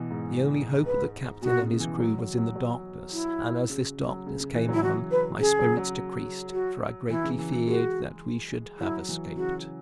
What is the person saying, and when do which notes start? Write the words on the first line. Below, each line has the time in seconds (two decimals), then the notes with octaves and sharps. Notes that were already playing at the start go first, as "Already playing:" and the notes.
The only hope of the captain and his crew was in the darkness; and as this darkness came on, my spirits decreased, for I greatly feared that we should have escaped.
Already playing: B2 E3
0.11 G#2
0.86 B4
1.42 B2 F#4
1.61 C#3
1.73 C#3
1.80 E3
2.00 F#3
2.19 F#3
2.38 F#3
2.56 F#3
3.12 E4
3.70 C#3
4.07 F#3
4.27 C#3
4.40 C#3
4.55 E3
4.69 F#3
4.74 E4
4.83 E3 F#4
5.11 B4
5.40 C#3 G#4
5.59 F#3
5.77 F#3
6.53 F#4
7.10 E3 E4
7.24 C#3
7.39 E3
7.52 E3
7.66 G#3 F#4
8.80 F#3 E4
9.09 E3
9.37 C#3 F#4